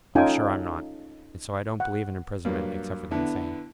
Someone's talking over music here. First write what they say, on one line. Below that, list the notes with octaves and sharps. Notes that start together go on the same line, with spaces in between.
"I'm sure I'm not--and so I don't believe in imprisonment except for the insane."
C#4 D#4 F4 A4 G5 G#5
F#5
G2 F#3 A#3
D3 B3 E4